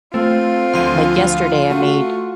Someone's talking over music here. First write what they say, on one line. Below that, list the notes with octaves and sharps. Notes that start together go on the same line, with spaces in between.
like, yesterday, I made,
A3 C4 F4
D2 F3 F5 C6 D#7
A3 F#4